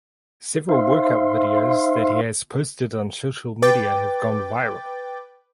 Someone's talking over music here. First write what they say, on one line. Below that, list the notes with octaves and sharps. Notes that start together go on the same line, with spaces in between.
Several workout videos that he has posted on social media have gone viral.
D#4 C5 E5 F5 C6
B4 G5 D6 A6